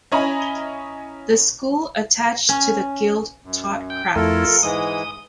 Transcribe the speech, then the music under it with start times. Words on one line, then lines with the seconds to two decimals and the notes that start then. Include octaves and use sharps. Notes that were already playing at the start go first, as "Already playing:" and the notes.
The School attached to the Guild taught crafts.
0.12 C#4 E4 D#5 G#5 A#5 B5
2.49 C#4
3.44 F#2
3.90 G5
4.16 F2 A3 E4 F4 A4 A#4
4.63 G#2 E3 G#3 D#6